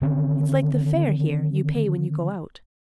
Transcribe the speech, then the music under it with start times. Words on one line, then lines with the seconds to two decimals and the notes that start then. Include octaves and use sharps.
It's like the fair here, you pay when you go out.
0.02 D3 D#3 C4 C#4